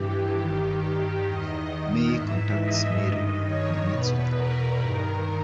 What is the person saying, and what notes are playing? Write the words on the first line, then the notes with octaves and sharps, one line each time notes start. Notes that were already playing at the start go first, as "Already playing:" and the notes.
May contacts Mary and meets with her.
Already playing: G2 E3 G4
G2 D#3
E2 D#3 D#5
G#2 E3 E5
D#5
G2 D#3
C#5
E2 B2 B4
A#4
G2 D#3 A#4